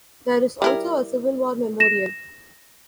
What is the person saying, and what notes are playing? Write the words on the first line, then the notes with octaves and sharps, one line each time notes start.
There is also a Civil War memorial.
G3 E4 A#4
A#6 E7